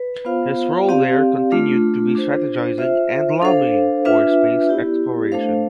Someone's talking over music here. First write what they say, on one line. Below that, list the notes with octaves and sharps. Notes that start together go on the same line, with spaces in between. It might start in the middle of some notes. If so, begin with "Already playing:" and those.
His role there continued to be strategizing and lobbying for space exploration.
Already playing: B4
B3 F4 C5 F5
C4 G4 D5 F5
A3 D4 F4
D4 F4 C5
F4 C5 E5
D4 A4 C5 F5
D4 F4 B4 E5
B3 E4 G4 D5
A3 D4 A4 C5 F5